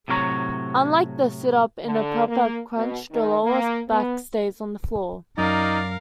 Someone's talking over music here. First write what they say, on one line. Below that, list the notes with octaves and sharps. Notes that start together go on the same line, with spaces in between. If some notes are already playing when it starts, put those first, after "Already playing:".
Unlike the sit-up, in a proper crunch, the lower back stays on the floor.
A2 C3 F#3 A#4 C#5 A#5
D3
A#3
B2
D#3
A#3
B3
F#2 D#4 A#4 D5 F5